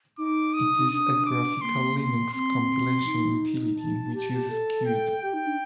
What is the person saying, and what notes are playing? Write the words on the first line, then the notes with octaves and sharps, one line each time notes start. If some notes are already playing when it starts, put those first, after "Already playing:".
It is a graphical Linux compilation utility, which uses Qt.
D#4 D6
D#6
D4 D#6
D6
A#3 C6
C6
C4 C6
D#4
A5
G4 A5
G4
A4
G5
G4 G5
D#4
D4